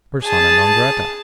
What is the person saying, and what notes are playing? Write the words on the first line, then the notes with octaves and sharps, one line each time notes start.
Persona non grata.
G#4 A5